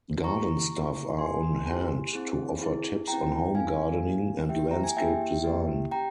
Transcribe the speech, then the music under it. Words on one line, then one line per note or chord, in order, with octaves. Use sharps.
Garden staff are on hand to offer tips on home gardening and landscape design.
A#3 E4 G4 A#5 C#6
A#3 E4 G4
A#3 E4 G4 G#5 C6
A#3 E4 G4
C4 E4 G#4
C4 E4 G#4
C4 E4 G#4 G5 A#5
C4 E4 G#4 F5 G#5
A#3 E4 G4
A#3 E4 G4 E5 G5
A#5
G#5
A#3 E4 G4 E5 G5
A#3 E4 G4
C#4 G4 G5 A#5